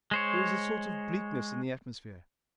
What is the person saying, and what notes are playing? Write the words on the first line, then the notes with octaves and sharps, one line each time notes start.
There was a sort of bleakness in the atmosphere.
G#3 C5 C#5